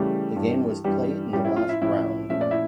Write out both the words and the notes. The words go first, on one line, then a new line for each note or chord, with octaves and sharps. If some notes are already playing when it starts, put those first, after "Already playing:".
The game was played in the last round.
Already playing: C#3 E3 G3 A3 C#4 G4
G2 E3 G3
G2 E3 G3 G4
A2 F3 G3 C#4 G4
E4
F4
E4 E5
A2 F3 C#4 E4 E5
A#2 F3 A3 C#4 E5
D5
E4 E5